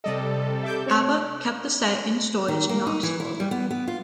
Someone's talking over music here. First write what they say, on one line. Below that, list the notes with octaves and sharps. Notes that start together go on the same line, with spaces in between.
Abbott kept the set in storage in Oxford.
C3 G3 A4 D5 D#5
E5 D6 G6
C4 C#5
D#3
A#3
D#4
E3
E4
G3
B3
B3
F4